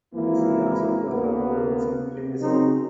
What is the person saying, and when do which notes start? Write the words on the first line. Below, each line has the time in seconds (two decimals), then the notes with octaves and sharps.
She also performed roles in plays.
0.14 G#1 E3 A#3 E4
1.09 D2 A#3 B3
2.40 C#3 F#3 C4 D#4 A#4 C5